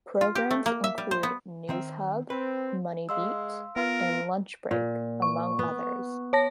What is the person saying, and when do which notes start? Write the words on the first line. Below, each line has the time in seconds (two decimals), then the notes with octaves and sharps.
Programs include "News Hub", "MoneyBeat", and "Lunch Break" among others.
0.21 F4
0.35 G4
0.51 A3
0.66 A#3
0.84 E5
0.98 G3
1.11 C5
1.23 B3
1.69 D#3 C4 E5
2.30 C4 B4
3.09 G#3 F5 C6 E6
3.76 B3 F4 A#4
4.71 A#2
5.22 C#6
5.59 B3
6.33 C#5 A5 A#6